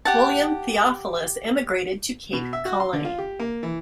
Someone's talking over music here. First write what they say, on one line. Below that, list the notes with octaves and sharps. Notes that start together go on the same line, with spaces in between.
William Theophilus, emigrated to Cape Colony.
G4 F#5 A5
B2
E5
F#4
C6
D3
F4
G4
A#3
E3